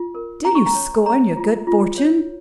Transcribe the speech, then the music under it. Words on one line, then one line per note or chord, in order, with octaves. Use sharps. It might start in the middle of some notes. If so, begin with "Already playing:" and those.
Do you scorn your good fortune?
Already playing: F4
A#4
C#4 A#5
C#6
A#5
C#5
C#5 A#5
F4
F4
C#5